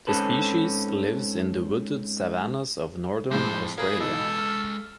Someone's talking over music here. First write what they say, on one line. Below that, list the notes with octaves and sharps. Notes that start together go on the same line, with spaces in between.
The species lives in the wooded savannas of northern Australia.
G#2 C4 C#4 A4 B4
F2 A2 G#3 C5
G#3 G#4 A#4 B4 F5
B2 E3 D#4 A4
F6